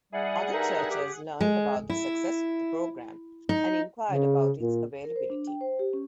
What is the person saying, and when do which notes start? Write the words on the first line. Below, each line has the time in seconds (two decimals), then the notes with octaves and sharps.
Other churches learned about the success of the program and inquired about its availability.
0.12 G3 E4 G#4 F#5
0.53 G2 D#4 A#4 E5
0.91 G4
1.41 G#3
1.90 E4
3.49 D#4
4.12 C#3
4.61 A#2
5.04 A#4
5.16 C5
5.30 D4
5.47 G5
5.61 C5
5.79 G4
5.93 C#4